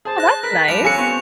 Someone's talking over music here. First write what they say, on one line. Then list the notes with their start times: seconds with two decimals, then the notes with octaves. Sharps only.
Oh, that's nice.
0.05 G#4 C5 A5
0.18 F#6 A#6
0.43 A#4 B4 B6
0.68 F3 G3 E7 F7
0.84 C#4 F4 A4 G#5 F#6 C#7
0.98 B3 C4 G4 C#6